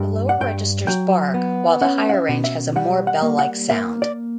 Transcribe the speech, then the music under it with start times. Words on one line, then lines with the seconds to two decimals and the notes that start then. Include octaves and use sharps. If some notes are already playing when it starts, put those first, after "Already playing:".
The lower registers "bark", while the higher range has a more bell-like sound.
Already playing: G2
0.29 F#5
0.41 G2 G5
0.87 F#3 G5
1.34 B3
1.81 C#4 F#5
2.09 F#5
2.14 E5
2.29 B2
2.44 E5
2.76 G3 F#5
3.07 F#5
3.22 A#3
3.39 F#5
3.70 A#3 E5
4.02 D5